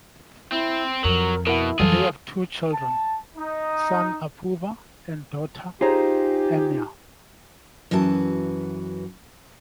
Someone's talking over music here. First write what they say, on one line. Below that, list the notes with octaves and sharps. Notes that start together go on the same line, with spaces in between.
They have two children: son Apoorva and daughter Ananya.
C4 E4
F2 F#3 A#4
B2 E4 A#4 F#5
F2 E3 F#3 G3 F4 G#4 A4
A5
D#4
D#4 F4 G4 G#4 C5 A#5
F#2 E3 F#4 B4 A5